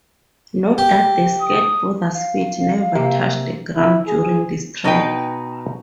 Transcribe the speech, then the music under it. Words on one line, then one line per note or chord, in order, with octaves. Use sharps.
Note that the skateboarder's feet never touch the ground during this trick.
G4
D#6
F5
C3 A#3
E4
G#4
B2 D#4 B4 G5